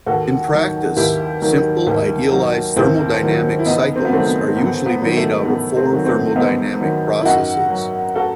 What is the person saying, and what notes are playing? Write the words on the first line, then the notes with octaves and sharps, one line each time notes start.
In practice, simple idealized thermodynamic cycles are usually made out of four thermodynamic processes.
D#2 F#4 A4
D#3 F#3
D#2 E4 G4
D#3 F#3
D#2
D#3 F#3
D#2 C4 E4
D#3 F#3
E4
E2 B3 D#4
C4
B3
D#3 F#3 A3 C4
B3
E2 B3
B3
D#3 F#3
A3
E2 B3
A3 C4
D#3 F#3
A3 C4
E2 B3 D#4
D#3 F#3
E4
F#2 D#4 F#4
F#3
F#4 A4